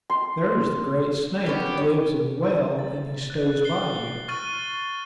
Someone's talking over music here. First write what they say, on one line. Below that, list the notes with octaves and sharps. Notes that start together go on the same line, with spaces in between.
There is the great snake that lives in the well, and he stays by you.
C6
B3 C#4 G4
C#5
A6
F#6
C7 G7
C#6 F6 A6 D#7 F#7 G7